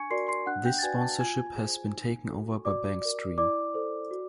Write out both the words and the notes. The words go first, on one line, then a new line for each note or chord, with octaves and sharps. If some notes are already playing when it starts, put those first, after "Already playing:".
This sponsorship has been taken over by Bankstream.
Already playing: D4 G#5 C#6 G#6 C#7
F#4 A#4 D5 C6 C7
C6 C7
D4 F#5 F#6
G5 G6
A6
F#4 B4 D5 G#5 G#6
A5 A6
F4 G#5 G#6
G#4 C5
D#4
F#4 A4
F#4 D5 D6
A#4 D5
E4 D5 D6
A4 C5
F#4